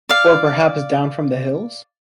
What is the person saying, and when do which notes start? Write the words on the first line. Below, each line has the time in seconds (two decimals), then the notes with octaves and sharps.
Or perhaps down from the hills?
0.09 D5 F5